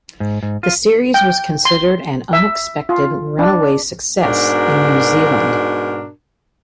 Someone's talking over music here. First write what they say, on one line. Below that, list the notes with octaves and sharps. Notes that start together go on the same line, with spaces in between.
The series was considered "an unexpected runaway success" in New Zealand.
G#2
G#2
F4
G5
C6
E5
F4
D4
G#2 B2 D4 F#4 A#4